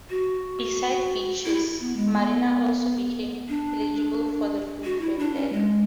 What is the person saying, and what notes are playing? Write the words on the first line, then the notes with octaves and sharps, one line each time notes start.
Besides beaches marinas also became eligible for the Blue Flag.
F#4
E4
B3
G#3
B3
D4
F#4
E4
D4
C#4
G#3